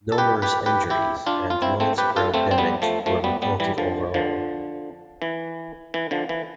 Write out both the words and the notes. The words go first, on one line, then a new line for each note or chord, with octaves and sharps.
Numerous injuries and widespread damage were reported overall.
A4
G4 B4
G4 B4
G4 B4
E4 G4
D4 F4
F4
C4 E4
A3 C4
G4 B4
F4 A4
A3 C4
C4
G3 B3
F3 A3
F3 A3
G3 B3
G3 B3
E3 G3
D3 F3
D3 F3
E3
E3
D3 F3
E3